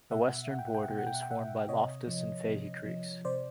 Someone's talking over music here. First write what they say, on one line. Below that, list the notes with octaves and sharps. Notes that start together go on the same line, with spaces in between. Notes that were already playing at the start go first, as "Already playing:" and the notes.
The western border is formed by Loftus and Fahy Creeks.
B2 E5 F#5
F#5
G5
F#5
G5
F#5
B2 G5
F#5
G5
F#5
G5
E5 F#5
C3 C#5 D#5
F3
C3
F3
C3 C5 D5